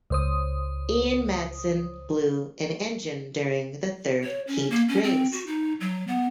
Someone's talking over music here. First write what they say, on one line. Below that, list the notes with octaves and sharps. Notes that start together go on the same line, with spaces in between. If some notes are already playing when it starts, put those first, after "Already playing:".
Ian Madsen blew an engine during the third heat race.
C#2 C5 D#6
C#5
C#4
A#3
C#4
C4
F#4
D#4
F#3
B3